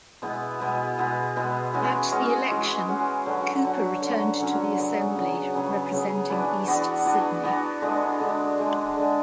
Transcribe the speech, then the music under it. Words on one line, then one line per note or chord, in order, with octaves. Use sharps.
At the election Cowper returned to the Assembly representing East Sydney.
B2 G#3 B3 E4
B2 G#3 B3 E4
B2 G#3 B3 E4
B2 G#3 B3 E4
E3 G#3 C#4 F#4
E3 G#3 C#4 F#4
E3 G#3 C#4 F#4
E3 G#3 C#4 F#4
D3 F#3 C#4 F#4
D3 F#3 C#4 F#4
D3 F#3 C#4 F#4
D3 F#3 C#4 F#4
C#3 F#3 B3
C#3 F#3 B3
C#3 F#3 B3
C#3 F#3 B3
E3 B3 D4 F#4
E3 B3 D4 F#4
E3 B3 D4 F#4
E3 B3 D4 F#4
D3 G#3 D4
D3 G#3 D4
D3 G#3 D4
D3 G#3 D4